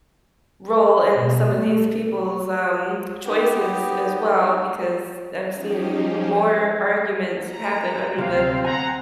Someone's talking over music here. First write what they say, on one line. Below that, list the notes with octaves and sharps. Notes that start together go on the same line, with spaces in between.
role in some of these people's, um, choices as well because I've seen more arguments happen under the
B2
A3
B3 D#4 G4
F3 C#4 D#4 G4 G#4
A#5
D2 C3 F#3 C4 G4 F5
F#5 G#5 A#5